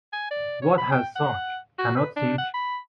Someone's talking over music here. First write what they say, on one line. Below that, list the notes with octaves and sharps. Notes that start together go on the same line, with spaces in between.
What has sunk, cannot sink.
G#5
D5
C#5
B5
G5
F#5
F#4
B4
D4
F#5
B5